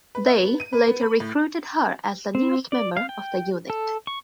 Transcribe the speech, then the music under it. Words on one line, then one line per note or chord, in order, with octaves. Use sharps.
They later recruited her as the newest member of the unit.
B4
E5
B3
D#7
B4
B3
B5
A2
C4
D5
F5
G5
A4
C#6